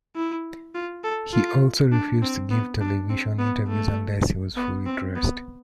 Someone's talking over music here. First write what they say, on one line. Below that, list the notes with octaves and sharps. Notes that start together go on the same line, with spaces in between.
He also refused to give television interviews unless he was fully dressed.
E4
F4
A4
F4
D4
C4
B3
D4
C4
B3
A3
B3
C4
B3